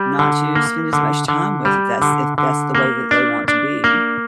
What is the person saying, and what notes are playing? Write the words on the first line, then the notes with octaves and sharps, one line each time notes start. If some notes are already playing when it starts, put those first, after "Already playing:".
not to spend as much time with if that's if that's the way that they want to be.
Already playing: G3
D3
A#3
D3
D3
G3
D3
D3
A#3
D4
D4
A#3